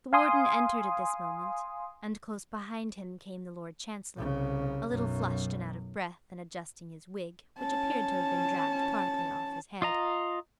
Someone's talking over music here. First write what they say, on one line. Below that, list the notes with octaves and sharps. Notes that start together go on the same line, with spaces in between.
The Warden entered at this moment: and close behind him came the Lord Chancellor, a little flushed and out of breath, and adjusting his wig, which appeared to have been dragged partly off his head.
F5 G#5 C6 D#6
C2 C#3
B1 F#2
C#4 A5
F4 D#5 A#5